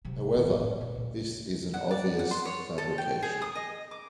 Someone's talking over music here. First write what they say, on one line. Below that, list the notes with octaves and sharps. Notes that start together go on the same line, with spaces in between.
However, this is an obvious fabrication.
C3 F#3
D#3
A2
A#2
C#2 A3
F#5
D5
F#5
C6
C#5
A4
G5
G#4
D#6
D#5
D6